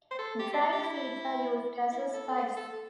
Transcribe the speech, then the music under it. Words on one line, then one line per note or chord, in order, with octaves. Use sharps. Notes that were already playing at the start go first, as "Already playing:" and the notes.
Dried seeds are used as a spice.
C5
A4
G4
C4
D4
G4
E4
E4
A4
C5
A4